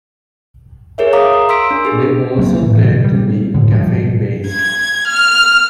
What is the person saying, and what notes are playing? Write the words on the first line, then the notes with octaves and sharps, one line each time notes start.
They also claimed to be "caffeine biased".
G#4 A#4 C#5 E5
F5 A#5 D6 D#6
A#4
C6 E6 B6 D7
D4
G4 G#4
F#3 A#3 C4
A2 E3
G#2 C#3 E3 F#3
G3
A2 D3
G#2 F3 G3
G#6
F6